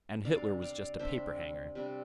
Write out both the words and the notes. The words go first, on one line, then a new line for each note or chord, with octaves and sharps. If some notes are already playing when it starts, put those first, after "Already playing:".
"And Hitler was just a paper-hanger."
C3 G3 D4 D5 F5
D5 F5
C3 G3 D4 C5 E5
C3 G3 D4